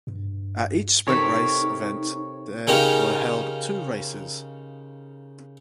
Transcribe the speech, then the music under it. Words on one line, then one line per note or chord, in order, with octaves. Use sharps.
At each Sprint race event there were held two races.
G2
C3 D#4 A4 A#4 C#5
C#3 C#4 D#4 F4 G4 A#4